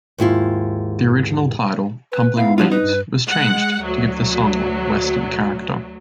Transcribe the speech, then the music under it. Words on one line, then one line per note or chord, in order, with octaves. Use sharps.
The original title "Tumbling Leaves" was changed to give the song a western character.
D#2 G#2 E4 F4
B4
B3 E4 F5
F3 F#3 D4 F4
D#4 B4
G2
G#3 F#5
D2 F#3